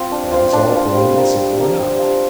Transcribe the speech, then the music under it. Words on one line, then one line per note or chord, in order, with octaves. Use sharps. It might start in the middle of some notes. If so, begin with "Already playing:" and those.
That is all plain and simple enough.
Already playing: C4 F4
D4
F4 C5 F5
D4
F4 C5 F5
G3
A#3 F4
G3
A#3 F4
G3
D4 F4